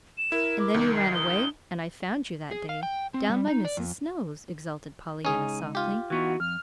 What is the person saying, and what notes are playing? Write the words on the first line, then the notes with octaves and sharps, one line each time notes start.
"And then you ran away and I found you that day, down by Mrs. Snow's," exulted Pollyanna, softly.
E7
E4 A#4
D6
C2 D#3
C7
D#6 G7
G#4
F5
G5
C4
G3
D#4
D5
F2
C#2 C#4 D#4 G#4
F4 G4
E3 B3 D#4 F#4
F2 F6